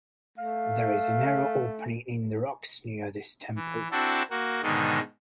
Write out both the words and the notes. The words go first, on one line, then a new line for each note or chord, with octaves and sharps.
There is a narrow opening in the rocks near this temple.
A3 F5
E3
C4 D4 E4 F#4 A4
A#3 F#4
G#2 B2 D3 D#3 G#3 D#4